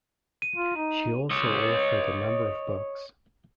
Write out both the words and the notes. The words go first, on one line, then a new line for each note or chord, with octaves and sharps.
She also authored a number of books.
D#7
F4
D#4
C#5 D#5